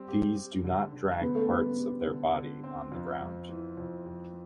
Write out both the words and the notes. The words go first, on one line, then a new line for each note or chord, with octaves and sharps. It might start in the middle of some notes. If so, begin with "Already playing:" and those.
These do not drag parts of their body on the ground.
Already playing: G3 C4
G4
G4
D3
D3
D3 B3
A3
G3 B3
G3
D3
D3
C4
F2
F2
E3
F2
F2